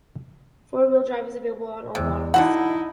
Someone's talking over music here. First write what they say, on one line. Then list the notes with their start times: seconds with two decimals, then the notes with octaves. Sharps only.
Four-wheel drive is available on all models.
1.95 E2 C3
2.34 D3 D#4 E4 F#4 F#5